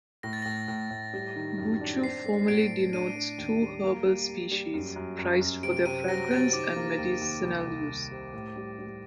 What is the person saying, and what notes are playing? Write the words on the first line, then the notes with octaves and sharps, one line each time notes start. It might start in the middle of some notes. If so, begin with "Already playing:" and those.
Buchu formally denotes two herbal species, prized for their fragrance and medicinal use.
A2 A#6
A6
A2 A#6
A2
A2
G3
D#3
F#2
D4
C4 C7
A3
A2 D7
A2
D4 D#7
D4
D#2
G3
A#3
G3
A#3
G3
F#2
F#2
F#2
F#2
C3 D7
C3 D#7
F#3 A#6
C3 A6
D#3 D6
A#3
D#2
D#2
C2
C2
C2
C3
A2
G3
G3